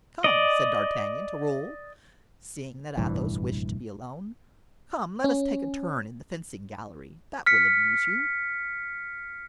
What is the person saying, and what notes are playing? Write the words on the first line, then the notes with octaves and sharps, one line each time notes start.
"Come," said D'Artagnan to Raoul, seeing that Athos wished to be alone, "come, let us take a turn in the fencing gallery; that will amuse you."
D5 D#5
F1 A#1 G2 E3
C#4
F6 B6 C#7